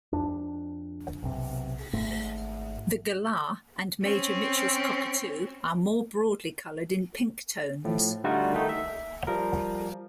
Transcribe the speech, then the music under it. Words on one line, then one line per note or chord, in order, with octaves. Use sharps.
The galah and Major Mitchell's cockatoo are more broadly coloured in pink tones.
F2 D4
B1 C3
G#1 G#2 A3
C4 C#4
A2 F3
D3 G3 A3 D#4 F4 F#4
D#3 A3 D#4
E5
F3 G3 A#4